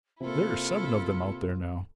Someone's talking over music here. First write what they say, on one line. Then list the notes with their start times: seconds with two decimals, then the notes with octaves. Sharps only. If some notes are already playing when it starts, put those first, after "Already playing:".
"There are seven of them out there now."
0.20 C3 A#3 E4 F4 A4